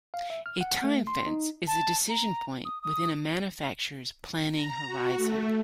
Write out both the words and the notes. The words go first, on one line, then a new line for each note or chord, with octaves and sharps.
A time fence is a decision point within a manufacturer's planning horizon.
F5
E5
F6
F#5
A3
C6
D#4
A5
A#5
D#6
D#6
A#5
F#4
A3